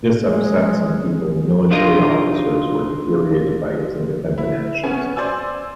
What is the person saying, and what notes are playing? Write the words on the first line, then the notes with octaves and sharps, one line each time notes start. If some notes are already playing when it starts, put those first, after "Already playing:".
This upset some people and military officers were infuriated by his independent actions.
G#3
D4 D#4 F4 A#4 D#5
E4
B3 C#4 G#5
C5 D5 G#5 E6